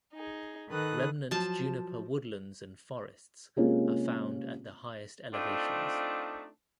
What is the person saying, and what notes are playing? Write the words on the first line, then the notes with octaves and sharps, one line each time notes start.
Remnant Juniper woodlands and forests are found at the highest elevations.
D#4 G#4
D#3 A4 B4 D#6 F#6
F3 F#3 A5
C3 G#3 A#3 C#4 F4
A3 C4 D4 D#4 F4